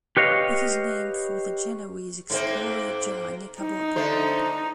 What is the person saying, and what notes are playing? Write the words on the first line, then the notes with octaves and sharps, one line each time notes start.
It is named for the Genoese explorer Giovanni Caboto.
G4 B4 C#5 D#5 F5
G#2 A#3 C4
D#4
D3 A3 C5